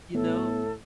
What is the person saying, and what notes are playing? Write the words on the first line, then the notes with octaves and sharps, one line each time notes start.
You know
A2 B3 A4